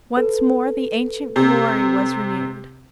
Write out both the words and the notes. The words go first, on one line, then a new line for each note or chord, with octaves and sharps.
Once more the ancient glory was renewed.
A4 B4
C3